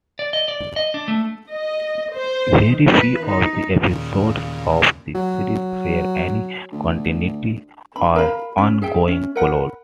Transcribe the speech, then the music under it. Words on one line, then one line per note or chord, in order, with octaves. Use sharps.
Very few of the episodes of the series share any continuity or ongoing plot.
D5
D#5
D5
D#5
D4
A3
D#5
C5
B4
D#4
D#2 A#2 C#3
F#3
D2
B5
A#4 F5 B5
C#4
G#4 E5 G5
C#4
A#4 F#5 B5